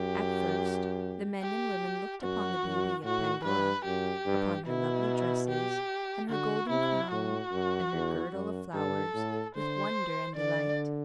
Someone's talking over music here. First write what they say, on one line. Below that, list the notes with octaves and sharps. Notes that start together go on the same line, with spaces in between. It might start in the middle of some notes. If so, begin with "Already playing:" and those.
At first the men and women looked upon the beauty of Pandora, upon her lovely dresses, and her golden crown and her girdle of flowers, with wonder and delight.
Already playing: F#2 G4
G4
F#2 F#4
F#2
A2 F#4
G2 B4
F#2 G4
G2
B2 E4
G4
D3 F#4
C3 E4
A2 F#4
F#2
E2
F#2
G2 A4
A2
D3 C5
D3 D5